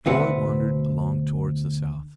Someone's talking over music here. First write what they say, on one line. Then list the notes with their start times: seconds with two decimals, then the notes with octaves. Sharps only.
Troy wandered along towards the south.
0.06 D2 B2 C4 B4 F#5